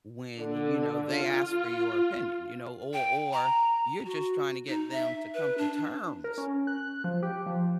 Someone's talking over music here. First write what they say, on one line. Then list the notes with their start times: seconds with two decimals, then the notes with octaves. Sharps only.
when, you know, they ask for your opinion, you know, or or you're just trying to get them to come to terms,
0.40 D3
1.13 F4
2.93 G5
3.33 A#5
4.06 F#4
4.68 D#4
4.93 E5
5.34 B4
5.58 D4
6.24 A#4
6.38 C#4
6.67 F#6
7.04 F3
7.23 G4
7.46 F3